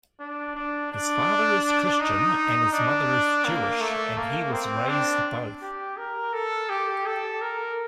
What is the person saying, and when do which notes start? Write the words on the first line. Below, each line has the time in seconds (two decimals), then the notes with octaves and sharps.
His father is Christian and his mother is Jewish, and he was "raised both".
0.19 D4
0.55 D4
0.92 D4
2.00 D#4
2.73 D4
3.45 A#3
3.81 A3
4.17 A#3
4.53 C4
4.89 D4
5.62 G4
5.97 A#4
6.33 A4
6.69 G4
7.06 A4
7.42 A#4